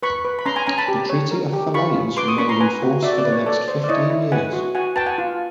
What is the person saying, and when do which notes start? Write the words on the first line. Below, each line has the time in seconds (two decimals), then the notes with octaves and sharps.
The Treaty of Falaise remained in force for the next fifteen years.
0.03 B4 B5 C#6
0.25 B4
0.39 B5
0.46 C#4 A#5 C6
0.56 G#5 A#5
0.67 C#4 G#5 A#5
0.78 A5 B5
0.88 G4
1.10 C#5
1.31 A#4
1.53 G4
1.74 F4 B5 C#6
1.96 C#4
2.17 B4 C6 D6
2.28 C#6 D#6
2.38 C#4 B5 C#6
2.49 A#5 C6
2.60 B4 G#5 A#5
2.82 F#4
3.03 F#4 D5 E5
3.18 D5
3.25 B4
3.32 C#5
3.46 A4 D5
3.68 C5
3.84 D5
3.89 E4 C#5 D#5
4.10 E4
4.32 B4 F#5 G#5
4.53 F#4
4.75 F#4 F#5 G#5
4.96 B4 G5 A5
5.06 F#5 G#5
5.18 F4